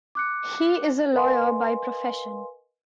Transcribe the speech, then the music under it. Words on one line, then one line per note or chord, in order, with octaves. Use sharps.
He is a lawyer by profession.
D6 F#6 C#7
A#4 B4 D#5 F5 G#5 C6